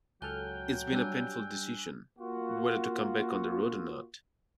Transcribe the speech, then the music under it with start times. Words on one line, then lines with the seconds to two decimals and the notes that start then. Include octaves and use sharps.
It's been a painful decision, whether to come back on the road or not...
0.22 C#2 F#3 A4 G5 G#5 F6 F#6 G7
0.93 G3 D4 G#5 E6 F#6
2.19 A#3 F4 F#4